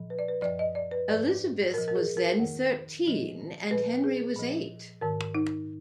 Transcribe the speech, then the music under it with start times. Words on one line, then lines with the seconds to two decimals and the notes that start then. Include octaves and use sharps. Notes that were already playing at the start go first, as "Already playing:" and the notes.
Elizabeth was then thirteen and Henry was eight.
Already playing: A#2 F3
0.10 B4
0.19 D5
0.28 B4
0.42 F#2 F3 D5
0.59 D#5
0.75 D5
0.91 B4
1.08 G#2 F3 D5
1.74 A#2 F3 A#4
1.88 A#4
1.96 G#4
2.17 A#4
2.40 F2 D#3
3.05 A#2 F3
3.71 A#2 F3 B4
4.04 G#4
4.36 A#2 F3
5.01 G#2 D#3 A#4
5.35 D#4